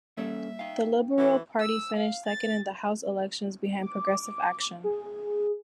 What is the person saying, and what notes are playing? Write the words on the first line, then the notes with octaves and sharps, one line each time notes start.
The Liberal Party finished second in the House elections behind Progressive Action.
G3 A#3 C#4 A4 C#5 E5
D#4 F5 G5
E3 C#4 F#4 A4 C#6
E6
F5
A6
D6
G#4